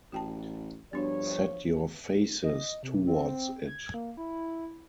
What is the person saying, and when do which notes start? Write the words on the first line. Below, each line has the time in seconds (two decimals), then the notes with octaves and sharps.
Set your faces towards it.
0.12 A1 F#4 G5 A5
0.93 G2 F3 B3 D4 F#4 C#5
2.43 D#5
2.83 C3
3.07 C4
3.66 G#6
3.94 A#3
4.17 E4